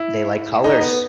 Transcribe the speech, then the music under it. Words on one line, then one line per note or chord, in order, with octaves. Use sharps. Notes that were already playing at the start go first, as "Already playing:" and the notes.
They like colors.
Already playing: E4
D#4
B3